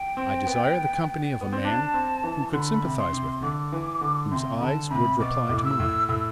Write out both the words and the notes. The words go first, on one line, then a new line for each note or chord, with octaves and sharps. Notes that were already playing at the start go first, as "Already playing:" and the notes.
I desire the company of a man who could sympathize with me, whose eyes would reply to mine.
Already playing: G5
C4
B3
B3
C4
D4 A5
C4
E3
D3 C6
B5
C3
C6
C3
D3 D6
E3
D3
C3 C6
D3 A5 B5
C3 B5
B2 D6
A2
D6
E6
A2
A2 E6